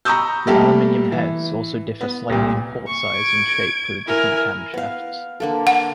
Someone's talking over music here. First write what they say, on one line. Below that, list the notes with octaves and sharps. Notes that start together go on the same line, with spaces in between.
The aluminium heads also differ slightly in port size and shape with different camshafts.
A#5 B5 C#6 D#6 E6 G6
G3 A3 A#3 G4 A4
E3
B3
C2 A#2
C#6
G#6 D7
E4 A#4 G#5
B3 F5
D3 A#3 A4
F#5